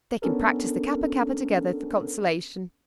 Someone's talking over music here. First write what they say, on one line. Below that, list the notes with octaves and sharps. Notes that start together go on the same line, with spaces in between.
They can practice the Kappa-kappa together for consolation.
B3 C#4 D4 A4 A#4